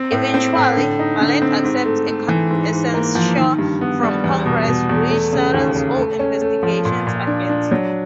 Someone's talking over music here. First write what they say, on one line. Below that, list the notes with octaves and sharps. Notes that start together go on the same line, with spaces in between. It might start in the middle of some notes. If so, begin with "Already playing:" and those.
Eventually, Bartlet accepts a censure from Congress, which settles all investigations against him.
Already playing: C4
A2
C4
A2
D3
D#4
D3
C4
G#2
A3
A3
E3
G#2
G#2
A#3
F3
D#3
G2
B3
G3
E2
B2
B2
E2
A3
C#3
D#2
C#3
A3
C#4
A3
F3
A#2
A#2
D4
D4
F#3